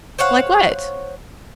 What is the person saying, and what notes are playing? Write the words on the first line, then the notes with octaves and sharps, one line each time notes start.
"Like what?"
C5 C#5 F5 F#5